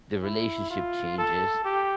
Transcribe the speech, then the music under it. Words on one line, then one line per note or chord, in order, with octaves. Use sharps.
the relationship changes
E4
F4
A4
G4